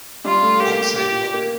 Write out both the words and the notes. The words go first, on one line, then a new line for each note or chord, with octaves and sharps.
outside look,
G3 F4
A3
A#3 G4
G4
A#3